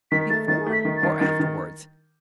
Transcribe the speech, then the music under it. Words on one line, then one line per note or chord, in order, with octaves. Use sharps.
"Before, or afterwards?"
D#3 B6
A3 A6
D#3 A6
A3
B6
D#3
A6
D#3
D#3 A6
D#3